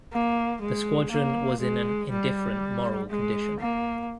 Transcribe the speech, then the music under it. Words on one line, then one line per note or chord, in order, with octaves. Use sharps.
The squadron was in an indifferent moral condition.
A#3
G#3
A#3
G#3
G3
G#3
A#3